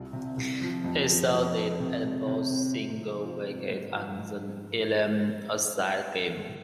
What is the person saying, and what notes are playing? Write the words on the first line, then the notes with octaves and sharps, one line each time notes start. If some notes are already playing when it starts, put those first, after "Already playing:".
He excelled at both single wicket and the eleven-a-side game.
Already playing: C2 F4
C3
C2
F3
F2
F3
F2
C4
C3
G#3
C3
C4
C3
F3
F4
C4
G#2
F3
G#2